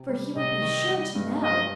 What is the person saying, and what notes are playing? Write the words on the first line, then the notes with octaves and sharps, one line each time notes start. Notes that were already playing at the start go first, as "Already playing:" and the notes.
For he would be sure to know.'
Already playing: C3
G3
C3 D#5
D#3
G3
G2
G2 D#5